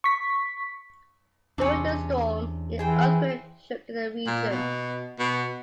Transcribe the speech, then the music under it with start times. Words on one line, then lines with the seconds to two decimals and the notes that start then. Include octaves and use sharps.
During the storm, an earthquake shook the region.
0.04 C#6 B6
1.58 E2 C3 C#4 D4
2.79 E3 G#4 C5 G5
4.27 A#2
4.50 B2
5.19 B2